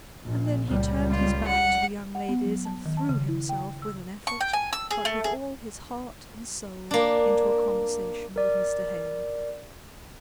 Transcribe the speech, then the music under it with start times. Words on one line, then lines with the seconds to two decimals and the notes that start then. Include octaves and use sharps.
And then he turned his back to the young ladies, and threw himself, with an effort, but with all his heart and soul, into a conversation with Mr. Hale.
0.24 A#1 A#2
0.66 C#2 G3
1.11 F4
1.47 F#5
2.15 F#5
2.29 B3
2.45 F#3
2.65 A5
2.86 D#3
2.97 A5
3.09 C#3
3.28 E4
3.49 G5
3.82 E6
4.27 C#6
4.41 G5
4.53 G#5
4.73 E6
4.91 G#4
5.05 A3
5.24 G#4
6.91 A#3 D4
8.36 A#4 D5